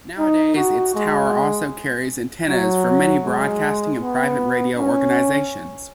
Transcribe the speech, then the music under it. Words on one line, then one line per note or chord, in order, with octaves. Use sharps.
Nowadays its tower also carries antennas for many broadcasting and private radio organisations.
D#4
F#4
G#3
F#3
G#3
B3
C#4